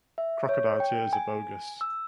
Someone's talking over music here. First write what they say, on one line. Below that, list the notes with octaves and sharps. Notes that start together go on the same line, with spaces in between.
Crocodile tears are bogus.
E5
C#5
G5
G#5
E6